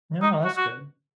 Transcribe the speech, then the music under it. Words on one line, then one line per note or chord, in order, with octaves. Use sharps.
No, that's good.
D#4
F#4
F#4